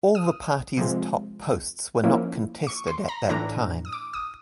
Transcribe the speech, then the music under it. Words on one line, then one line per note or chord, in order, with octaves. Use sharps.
All the party's top posts were not contested at that time.
D#6
C3 F3 G#3
F3 A#3 C#4 E4
C#6
C6
A#5
A2 E3 A3 D4 A#5
D#6
D6
D#6